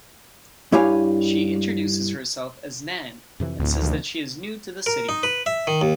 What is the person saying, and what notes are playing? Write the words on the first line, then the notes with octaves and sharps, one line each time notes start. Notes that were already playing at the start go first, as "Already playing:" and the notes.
She introduces herself as Nan, and says that she is new to the city.
G2 E4 G4 C#5 F5 G#5
F2 C3 E3
D2 A2 C4
C3 D#3 F3
A#4
D#4
B4
E5
D#3
D#2